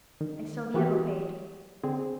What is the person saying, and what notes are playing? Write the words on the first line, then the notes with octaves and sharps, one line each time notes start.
And Sylvia obeyed.
D#3
E3 B3 F#4 G4
D3 C4 G#4